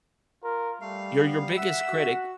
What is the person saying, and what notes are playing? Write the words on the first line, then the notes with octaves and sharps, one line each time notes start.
you're your biggest critic,
F4 A#4
G3 A3 F5
B3
E5 F#5 E6
F#4